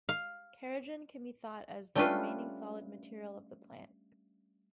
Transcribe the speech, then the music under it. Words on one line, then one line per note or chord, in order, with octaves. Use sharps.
Kerogen can be thought of as the remaining solid material of the plant.
F5
G3 A3 C#4 D4 F4 B4